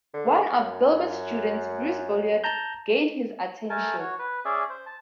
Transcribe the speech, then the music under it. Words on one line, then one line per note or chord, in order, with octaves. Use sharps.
One of Gilbert's students, Bruce Bouillet, gained his attention.
D3
F#2
A5 A#5 G6
A3 A#4 G#5 A5
F#4 C#5
B4
C#4 G#4 D5 E5
C5
A5